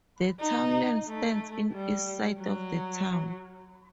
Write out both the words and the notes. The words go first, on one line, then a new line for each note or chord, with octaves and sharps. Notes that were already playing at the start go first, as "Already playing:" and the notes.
The townland stands in east side of the town.
D#4
A3
G3
F#3